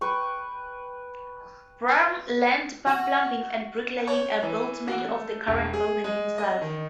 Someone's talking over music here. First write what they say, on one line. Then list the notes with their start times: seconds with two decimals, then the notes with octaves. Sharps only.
Brahm learnt plumbing and bricklaying and built many of the current buildings himself.
0.01 B4 G5 C#6
2.86 F#4
4.07 C#5
4.43 E3
4.88 F#4
5.05 A3
5.47 E1
5.73 G#4
6.04 G#3
6.38 D#5
6.61 D#3